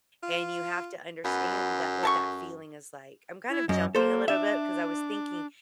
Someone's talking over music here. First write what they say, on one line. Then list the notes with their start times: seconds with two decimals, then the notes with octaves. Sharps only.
and you have to understand that what that feeling is like, I'm kind of jumping a little bit 'cause I was thinking
0.23 F4
1.25 F#2 B3
2.03 A4 A5 C#6
3.50 E4
3.69 F#2 D#5
3.95 A#3 A4 C5
4.28 D4 E5